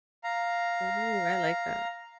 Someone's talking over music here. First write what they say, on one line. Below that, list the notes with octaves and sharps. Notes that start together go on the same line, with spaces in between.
Mhm. I like that.
F5 A#5